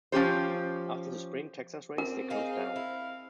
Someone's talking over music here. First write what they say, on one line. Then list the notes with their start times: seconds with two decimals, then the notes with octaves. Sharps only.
After the spring Texas race, they closed down.
0.12 F3 C#4 G4 C5
1.98 C4 A#4
2.30 D#4 G#4 F5
2.76 E4